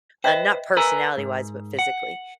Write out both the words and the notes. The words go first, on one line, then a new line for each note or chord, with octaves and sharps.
Uh, not personality-wise, but physically.
B4 C5 D#5 E5 G5
A#4 B4 G#5 A#5
G#2
F#5